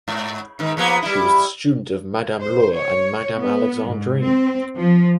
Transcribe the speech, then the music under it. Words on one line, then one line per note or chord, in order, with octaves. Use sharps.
She was the student of Madame Laure and Madame Alexandrine.
G#2
G#2 D#3
F3 A#3 B3
G3 E4
C5
C#5
B3
G#2
C4
F3